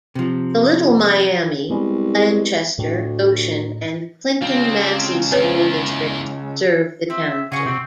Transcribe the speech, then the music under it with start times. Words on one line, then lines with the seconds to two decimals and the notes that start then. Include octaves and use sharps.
The Little Miami, Blanchester, Goshen, and Clinton Massie school districts serve the township.
0.15 C3 F3
1.69 C2 G3 G#3 B3
2.78 D2 A2
4.42 C#3 C4 F4
5.31 C4 E4 G#4 B4 C#5
7.10 C4 E5
7.52 C#3 F#4 G#4 C#6
7.65 C3 C4